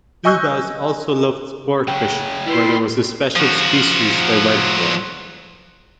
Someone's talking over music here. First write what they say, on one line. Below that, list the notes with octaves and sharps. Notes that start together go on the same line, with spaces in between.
Subas also loved sport fishing where there was a special species they went for.
D#5 G#5 C#6 E6 F#6 G6
C#3 F#3 G5
D#3 G3 E4 B4 C6
F3 F#4